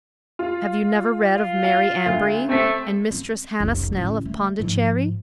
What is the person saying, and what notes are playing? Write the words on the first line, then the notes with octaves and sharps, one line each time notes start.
Have you never read of Mary Ambree? and Mistress Hannah Snell of Pondicherry?
F4
F4
F5
D2
A3 C4 B6
C4
F1 B1
A1 D2
A3
G#2 F3